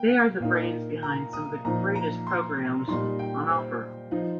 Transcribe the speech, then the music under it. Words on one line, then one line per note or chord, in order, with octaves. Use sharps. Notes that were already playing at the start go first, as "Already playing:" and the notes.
They are the brains behind some of the greatest programs on offer!
Already playing: A#3 G5
A#2 A#3 D#4
A#5
D#6
A#2 F3 D#4 A#5
A#5
C6
A#2 G3 D#4 C6
G5
C5
F3 D#4